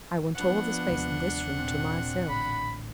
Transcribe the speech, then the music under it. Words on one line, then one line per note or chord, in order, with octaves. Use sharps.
I want all the space in this room to myself!
F3 B3 D4 F#5
D#2 C3 G#3
A#2 C4
A1 A2 D3 B5